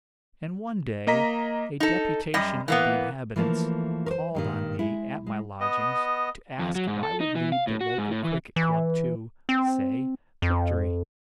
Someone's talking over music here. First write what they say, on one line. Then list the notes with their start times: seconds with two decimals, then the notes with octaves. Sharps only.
And one day a deputation of the inhabitants called on me at my lodgings to ask if I would lead the local cricket club to, say, victory.
1.07 A#3 D#5 A#5 B6
1.80 D#4 A4
2.34 F#2 G3 D#5
2.68 E3 A#3 B3
3.36 E3 F3 A3 A#3 A4
4.06 A#4 C5
4.35 G2 A#2 D#3
4.79 G#3 E4
5.26 G#3
5.60 B3 D#5
6.59 F2
6.75 F#3
6.88 G#2
7.03 A4
7.20 D#4
7.36 E3
7.52 F5
7.67 A2
7.81 F#4
7.98 G#2
8.11 A2
8.24 E3
8.56 E3
9.49 C4
10.42 F2